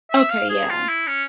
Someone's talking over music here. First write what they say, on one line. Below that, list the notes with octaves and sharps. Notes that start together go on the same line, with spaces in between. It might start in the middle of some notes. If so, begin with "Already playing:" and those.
Okay, yeah.
E5
F5
G#4
F4
E4
C#4